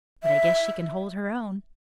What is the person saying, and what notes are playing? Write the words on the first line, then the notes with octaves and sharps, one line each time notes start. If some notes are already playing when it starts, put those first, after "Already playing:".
But I guess she can hold her own.
E5